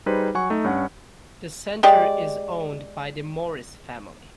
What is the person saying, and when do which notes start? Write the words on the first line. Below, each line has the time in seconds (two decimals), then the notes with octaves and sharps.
The centre is owned by the Morris family.
0.06 G3 D#4 G#4 B4 C5
0.35 F#3 F#5 G#5 C#6
0.50 A3 D#4
0.64 G2 C#4 F#5
1.83 G#3 G4 D5